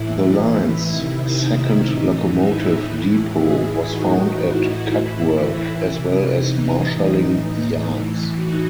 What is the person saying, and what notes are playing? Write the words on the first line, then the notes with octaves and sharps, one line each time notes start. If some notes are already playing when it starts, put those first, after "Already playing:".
The line's second locomotive depot was found at Cudworth, as well as marshalling yards.
Already playing: A2 E3 E4
E4
C3 D#3 E4
D#4
A2 E3
E4
A2 E3 E4
E4 G#4
A2 E3 D#4 F#4
E4
A2 E3
E4
C3 E3
D#4
A2 E3
A2 E3
D#4 F#4